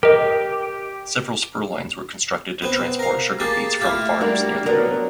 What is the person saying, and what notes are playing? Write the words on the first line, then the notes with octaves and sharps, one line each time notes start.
Several spur lines were constructed to transport sugar beets from farms near the route.
G4 A#4 D#5
B3 C4
A#4 F5
A#3 G4 G#4 A5
A3 A#3 E4 F4 G4 F5
G3 D4 F#4 A#4
F#3 B3 D4 A#4